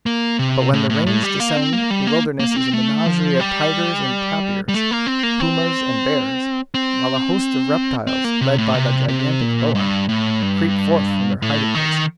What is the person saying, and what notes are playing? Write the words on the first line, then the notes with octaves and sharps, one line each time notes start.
But when the rains descend the wilderness is a menagerie of tigers and tapirs, pumas and bears, while a host of reptiles, led by the gigantic boa, creep forth from their hiding-places.
A#3
C3
A2
A2
A2
G3
A#3
C4
A#3
G3
A#3
A#3
C4
A3
F3
G3
G3
A3
A#3
C4
A#3
C4
C4
C4
A#3
C3
A2
C3
C3
A#2
G2
A2
G2
A2
D#3